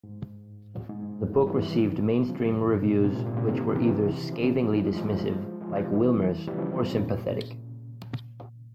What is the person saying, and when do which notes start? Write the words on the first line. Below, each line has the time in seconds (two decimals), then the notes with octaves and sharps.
The book received mainstream reviews which were either scathingly dismissive, like Wilmers, or sympathetic.
0.04 G#2
0.89 G#2
1.32 E3 G3
1.47 E3 G3
1.61 C3 E3
1.75 C#3 F3
2.18 E3 G3
2.29 C#3 F3
2.39 C3 E3
2.51 F2
2.61 G2
2.72 A#2
2.82 G#2 C3
2.93 A#2 C#3
3.04 G#2 C3
3.15 A#2
3.26 A#2
3.36 A#2 C#3
3.47 C3 E3
3.61 C#3 F3
3.75 C3 E3
4.32 C#3 F3
4.43 C#3 F3
4.54 E3 G3
4.64 F3 G#3
4.75 E3 G3
4.86 F3 G#3
4.97 F3 G#3
5.08 E3 G3
5.18 F3 G#3
5.61 F3 G#3
5.72 C#3 F3
5.82 C3 E3
5.93 E3 G3
6.47 E3 G3
6.57 C#3 F3
6.90 A#2 C#3